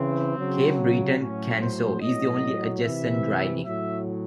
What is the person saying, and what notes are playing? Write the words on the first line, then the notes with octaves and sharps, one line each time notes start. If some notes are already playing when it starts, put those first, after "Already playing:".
Cape Breton-Canso is the only adjacent riding.
Already playing: C#3 E3 C4
C#3 F#3
A2 F#3 C#4
C5
A2 F#3 D#5
C3 E3 E5
A2 F#3 E5